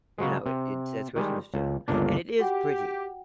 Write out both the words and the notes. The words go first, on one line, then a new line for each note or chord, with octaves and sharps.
you know, it it says Christmas to 'em. And it is pretty,
C#3 F#3 G#3
C3
D#3 G3 G#3
C#2
G1 C#2 A#3 D4
F#4 G4 F#5 G5